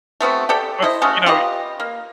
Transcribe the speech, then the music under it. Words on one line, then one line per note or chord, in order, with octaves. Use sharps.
but f you know, y
A3 B3 C4 F#4
G4 A4 D5 G5
E4 C5 D#5
C#3 G#3 A3 F#4
F4 G4 B4 D#5
A#3